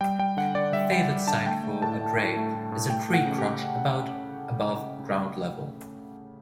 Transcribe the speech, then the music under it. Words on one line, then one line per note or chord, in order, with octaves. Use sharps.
A favoured site for a drey is a tree crotch about above ground level.
G3 G5
G3 G5
D3 F#5
D3 D5
G3 E5
G3 G5
G3
D3 A5
A3 G5
A3
A2 A5
A3
A2
A3
A2
A2
A3 G5
A3 F#5
C#3
G4